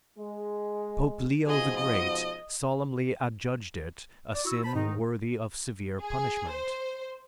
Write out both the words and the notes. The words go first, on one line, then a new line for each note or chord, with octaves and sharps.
Pope Leo the Great solemnly adjudged it a sin worthy of severe punishment.
G#3
G#2 B2 F3 G#4 D#5
D#5
D5
E4 F#4 E6
C5 A5 B5
G#2 D#3 D#4
G#4
C5